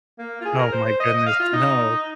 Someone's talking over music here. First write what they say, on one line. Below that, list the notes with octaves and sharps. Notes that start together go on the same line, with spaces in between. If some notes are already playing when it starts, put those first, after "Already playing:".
Oh my goodness. No.
A#3
F4
G#4
A#4
C5
C5
D#5
D#5
F5
F4
D#4